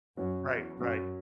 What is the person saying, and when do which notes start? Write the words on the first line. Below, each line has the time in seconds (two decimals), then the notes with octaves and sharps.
Right, right.
0.17 F#2 F#3 C#4 F#4
0.49 E2
0.80 F#2 F#3 C#4 F#4